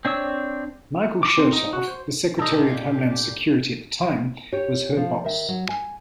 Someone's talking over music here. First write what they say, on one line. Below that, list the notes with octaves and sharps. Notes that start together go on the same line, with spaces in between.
Michael Chertoff, the Secretary of Homeland Security at the time, was her boss.
C4 D4 C#5 E6
D6
C4
D#4
F#4
C5
A#2 D4 G4 A4 D#5 A#5
G4 C#5
F3
D#3 E5
F#3
G#5